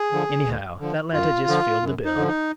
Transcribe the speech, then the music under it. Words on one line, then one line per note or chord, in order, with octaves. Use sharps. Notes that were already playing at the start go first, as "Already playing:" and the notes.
Anyhow, that letter just filled the bill.
Already playing: G#4
D3 F3
D2
D3 F3
F#2 F4
D3 F3
F#2
D#4
D3 F3
D#4